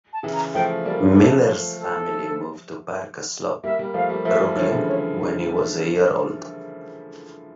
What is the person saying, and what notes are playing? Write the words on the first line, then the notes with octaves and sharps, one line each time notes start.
Miller's family moved to Park Slope, Brooklyn when he was a year old.
A5
C#3 E3
A#5
F3 A3 G5
G3 A#3 D5
F3 A3 A4
A4
G3 A#3 E5
G3 A#3
F3 A3 F5
G3 A#3
F3 A3 E5
E3 G3
D3 F3 C#5
C#3 E3
C#5